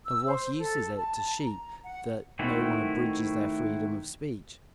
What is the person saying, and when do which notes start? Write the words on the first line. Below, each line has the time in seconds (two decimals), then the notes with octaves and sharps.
Of what use is it to sheep that no one abridges their freedom of speech?
0.04 E6
0.25 C5
0.58 A4
0.96 A5
1.37 A#5
1.83 F#5
2.39 D#3 A3 C4 E4 F#4